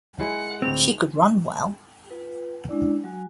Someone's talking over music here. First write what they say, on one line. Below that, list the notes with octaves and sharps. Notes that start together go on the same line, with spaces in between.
She could run well.
G#3 E4 F#5 C#7
D2 A2 C4 F7
F4 B4
G#3 C#4 D4 E4 D5
F#3 F#4 G#5